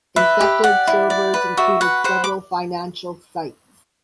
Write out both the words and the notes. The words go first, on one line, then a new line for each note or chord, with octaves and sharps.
Infected servers included several financial sites.
B4 E5
G4
D5 F#5
E4
D5
B4
F#4 E5
B4 F#5
C5 F#5
D6